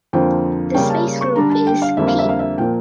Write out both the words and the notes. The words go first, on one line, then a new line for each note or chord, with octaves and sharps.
The space group is "P".
F2 D3 F3 A#3 G5
C#3 G3 A#3 C#4 G5
A5
C#6
D3 G3 D4 A#5
A5
G5
F5
F2 D3 G3 A#3 E5
F5
E5
F5
E5
A#2 F3 A#3 G5